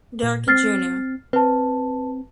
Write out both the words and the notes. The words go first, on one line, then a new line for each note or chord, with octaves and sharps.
Durkee Jr.
A#2
C4 F6 A6 C7
C4 B4 A5